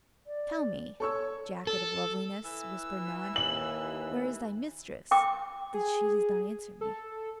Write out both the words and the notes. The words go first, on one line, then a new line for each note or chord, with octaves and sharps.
"Tell me, Jacket-of-Loveliness," whispered Nod, "where is thy mistress that she does not answer me?"
D5
A4 C#5 C#6 E6
A4
E3 E6
D#2 F#7
G5 D6
G#4
A4